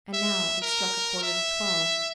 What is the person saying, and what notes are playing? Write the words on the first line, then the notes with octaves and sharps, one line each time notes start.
And now, it struck a quarter to twelve.
E5
A#4
E5